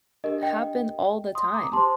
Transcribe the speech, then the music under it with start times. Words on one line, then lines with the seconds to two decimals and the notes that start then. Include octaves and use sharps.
happen all the time.
0.24 D4 G4 A#4 D#5
0.43 D#5 G5
1.35 C6 D#6
1.54 A#5 D6
1.73 G4 C5 A5 C6